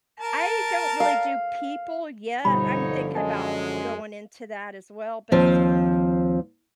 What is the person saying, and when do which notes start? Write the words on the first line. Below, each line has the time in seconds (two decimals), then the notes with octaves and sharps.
I don't really do people yet, I'm thinking about going into that as well, but
0.20 A#4 A5
1.00 F5
2.45 G1 B2 D3 F3 G3 D#4 C#5 B5
3.15 F#2 G#3 D#5 G#5 A5
5.32 D#2 F3 C4